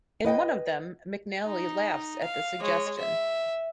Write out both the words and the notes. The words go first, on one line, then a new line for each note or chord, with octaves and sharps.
In one of them, McNally laughs at the suggestion.
B4 D#5 F#5 G5
D#4
F5
G#3 C#5
E5